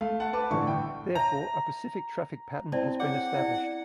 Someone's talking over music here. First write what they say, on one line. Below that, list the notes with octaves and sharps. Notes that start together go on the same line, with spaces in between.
Therefore, a specific traffic pattern has been established.
A3 F5
F#5 A5
B4 A5 D6
G1 A2 D3 E3 C#6
G5
C#5 E5 A5 A#5
C4 E4 D5 A5
G#4 C#5 F#5 D6
C#4 E4 D5